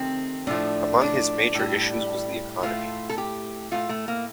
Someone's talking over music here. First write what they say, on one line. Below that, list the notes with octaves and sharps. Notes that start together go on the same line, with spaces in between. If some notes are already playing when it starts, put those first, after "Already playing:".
Among his major issues was the economy.
Already playing: C3 D#3 A3 C4
A2 F3 A3 D4
D4
A2 G3
A2 A3 F4
A4
G4
A2 A3 F4
A3
A#3